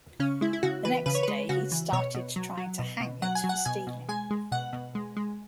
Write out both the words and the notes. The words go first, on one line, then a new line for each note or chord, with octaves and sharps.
The next day, he started trying to hang it for stealing.
C#3 C#4
G#3 E4
E4
C#3 F#4
E3 B4
C#3 B4
C#5
G#3 B4
C#3 F#4
E3
B2 C#5
B2
F#3
F#3
B2
B2
F#3 F#5
G#5
F#3
F#5
B2 G#5
B2
G#3 G#5
G#3
B2 F#5
B2
G#3
G#3